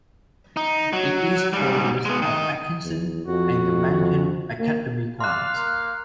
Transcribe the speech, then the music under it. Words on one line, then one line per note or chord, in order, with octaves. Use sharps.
The east borders on Atkinson and Gilmanton Academy Grant.
D#4
F#3
G#2 G3
G#3 B3
D#3 D#5
E2
F2 F#4
A#3
D5 F5 C6 F#6
A#3